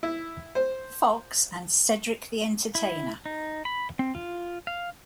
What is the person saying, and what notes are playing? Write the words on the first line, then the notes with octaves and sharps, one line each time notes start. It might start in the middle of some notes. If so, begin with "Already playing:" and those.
Fox and Cedric the Entertainer.
E4
C5
E4
D#4
B5
C4
F4
F5